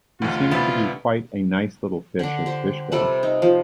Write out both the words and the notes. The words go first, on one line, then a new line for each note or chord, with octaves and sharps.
He seems to be quite a nice little fish, as fish go.
F1 D2 F4
D2 C3 B3 D4 E4
D3 D4
G4 C5
C3 G3 A4 B4
D#4
F3